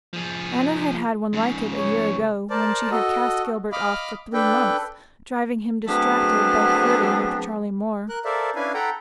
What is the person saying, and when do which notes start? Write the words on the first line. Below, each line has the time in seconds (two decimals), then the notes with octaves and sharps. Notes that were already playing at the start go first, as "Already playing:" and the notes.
Anna had had one like it a year ago, when she had cast Gilbert off for three months, driving him distracted by flirting with Charlie Moore.
0.13 F3 G#4
1.33 G#2 C#3
1.77 C#5
2.50 A#4 C5 D5 A5
2.91 F#4 A4 D#5
3.72 D#5 F5 B5 D6 F6
4.33 D4 A4 B4 G5
5.86 F#3 A3 B3 C4 D4 G#4
8.09 A#4 F#6
8.25 A4 A#4 C5 D5 E5 F5
8.55 C#4 D4 E4 B4 F5 G#5
8.74 A4 F#5 G5 A#5 B5